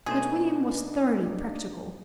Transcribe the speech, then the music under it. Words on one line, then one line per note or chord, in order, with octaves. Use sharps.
But William was thoroughly practical.
B2 A3 D4 D#4 G#4 C5